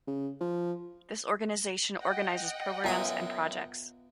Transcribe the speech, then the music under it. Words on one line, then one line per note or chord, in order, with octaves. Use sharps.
This organization organizes programs and projects.
C#3
F3
D#5 F#5 G5
F#2 B3 F4 E5 G#5 A#5 D#6